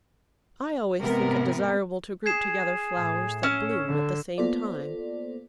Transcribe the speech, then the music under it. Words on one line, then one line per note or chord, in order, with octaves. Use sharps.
I always think it desirable to group together flowers that bloom at the same time.
G#2 C3 B3 A#4
G#4 G#6 C7 E7
A2
C#4 E6 E7
D3
A#3 B3 F4 A4 C5 D5